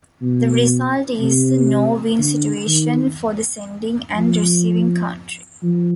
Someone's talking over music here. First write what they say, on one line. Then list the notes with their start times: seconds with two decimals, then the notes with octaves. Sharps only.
The result is a no-win situation for the sending and receiving country.
0.22 B2
1.20 C3
2.19 D3
2.67 D#3
4.15 F3
5.63 F3